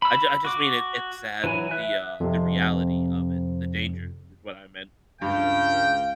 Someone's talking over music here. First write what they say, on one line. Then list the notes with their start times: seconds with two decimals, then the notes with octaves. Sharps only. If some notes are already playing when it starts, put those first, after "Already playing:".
I j I just mean it it's sad, the, uh, the reality of it, the danger is what I meant.
0.02 B5 E6
0.45 F#4 D6
1.44 E3 F#3 E4 G#5
1.71 E5 F#6
2.20 F2 C3
5.22 C#2 G2 F5 G5